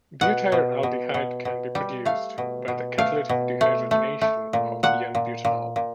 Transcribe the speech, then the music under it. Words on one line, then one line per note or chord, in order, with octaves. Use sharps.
Butyraldehyde can be produced by the catalytic dehydrogenation of "n"-butanol.
B2 F#5
B2
B2
B2
B2
G3
A3 F5
B2
B2
A3 F5
B2
A3
A3
A3
A#2
A#2 F#5
A#2
A#2
A#2